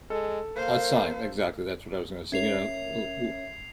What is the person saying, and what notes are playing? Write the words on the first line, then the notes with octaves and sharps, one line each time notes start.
A sign, exactly. That's what I was gonna say, you know.
G#3 A4
A#3 A#4 C5 F5
C#4 A#4 C#5 E5 G#6 C7 F7